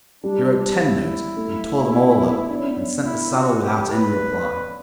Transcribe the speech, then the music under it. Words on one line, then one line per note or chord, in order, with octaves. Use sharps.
He wrote ten notes, and tore them all up, and sent the saddle without any reply.
G3 D4
D4
E4
A3
B3
D4
C#4
B3
C#4
E4
F#4
G4
B4